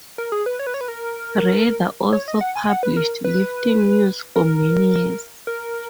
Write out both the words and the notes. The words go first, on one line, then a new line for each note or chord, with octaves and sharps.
Rader also published "Lifting News" for many years.
A#4
G#4
B4
C#5
B4
C#5
B4
A#4
C#5
D#5
F#5
G#5
F#5
B4
A#4
B4
A#4
A#4